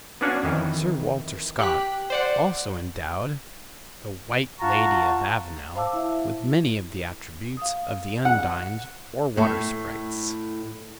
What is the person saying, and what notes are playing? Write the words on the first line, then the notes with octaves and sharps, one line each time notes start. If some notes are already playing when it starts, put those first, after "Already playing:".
Sir Walter Scott also endowed the White Lady of Avenel with many of the attributes of the undines or water-sprites.
B3 C#4 D4 F#4 F5 G#5
F2 D#3 E3
G4 F#6 B6
C5 D5 F#5
F4 F#5 A5 A#5 C#6
C5 F5 A5 D6 E6
E4 E5
F5 D#6
F#5
A2 A3